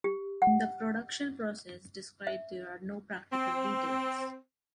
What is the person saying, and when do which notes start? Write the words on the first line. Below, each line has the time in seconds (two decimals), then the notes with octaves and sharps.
In the production process described there are no practical details.
0.04 G4
0.42 F#5
2.27 E5
3.32 C4